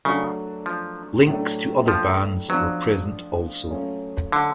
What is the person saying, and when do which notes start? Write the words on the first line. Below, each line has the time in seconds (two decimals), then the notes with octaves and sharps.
Links to other bands were present also.
0.05 C#3 F#3 A3 D4 F#4
0.66 F3
1.27 A2 F#3 A3 D4
1.88 F3
2.49 F3 F#3 B3 D4
3.71 F#3 A3 C#4 F4
4.32 D3